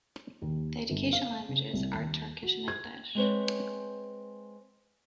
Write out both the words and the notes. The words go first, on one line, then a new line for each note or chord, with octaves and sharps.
The education languages are Turkish and English.
D#2
G1
F5
C#3
C2
D#2
F#4
G#6
G#3 C4 B4 C#5